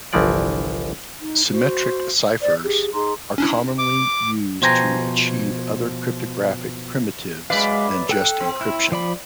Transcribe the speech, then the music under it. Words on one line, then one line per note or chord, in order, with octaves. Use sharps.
Symmetric ciphers are commonly used to achieve other cryptographic primitives than just encryption.
G1 C2 E3 F3 D5
D#4
F#4 C5
C5 D5
G4 G#4
D#4 G#4 A#5 C6
C#4 D4 E4
D6
B2 F3 C5 G5 G#5 A#5
F#2 G#3 B4 D5 F5
A4 G5 F#6
C4
E4
F3 D5 B5